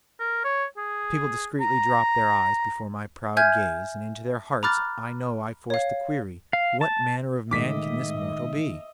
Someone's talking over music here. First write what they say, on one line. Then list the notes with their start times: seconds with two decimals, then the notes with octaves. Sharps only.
People discreetly dropped their eyes before my proud gaze, and into their hearts I know I forced the query, What manner of man can this mortal be?
0.20 A#4
0.44 C#5
0.77 G#4
1.61 A#5
3.37 E5 G#5 F6 G6 G#6
4.63 A#5 B5 D6 F6 F#6 A6
5.70 C#5 F5
6.53 F5
6.81 A5
7.51 A2 D#3 G#3 A3 D#5 E5 D6 B6